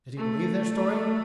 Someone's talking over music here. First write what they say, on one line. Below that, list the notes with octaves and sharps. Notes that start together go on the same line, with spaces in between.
Did he believe their story?
A3